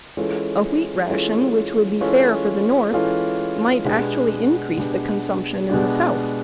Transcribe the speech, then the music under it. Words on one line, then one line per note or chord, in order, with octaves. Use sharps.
A wheat ration which would be fair for the North might actually increase the consumption in the South.
E3 G#3 C#4 F4 A4
E3 G#3 C#4 F4 A4
E3 G#3 C#4 F4 A4
E3 G#3 C#4 F4 A4
B2 G#3 B3 D4 G4
B2 G#3 B3 D4 G4
B2 G#3 B3 D4 G4